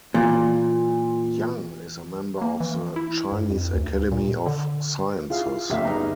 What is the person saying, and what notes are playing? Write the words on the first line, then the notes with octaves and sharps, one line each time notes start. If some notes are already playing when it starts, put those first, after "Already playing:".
Yang is a member of the Chinese Academy of Sciences.
A#2 E3
A#3
E3
E4
G2
F2
D2
A#2
D3
E4 F4 G#4 F5
F#1 D2 G4 E5 F5
G1 D#4 G#4 A#5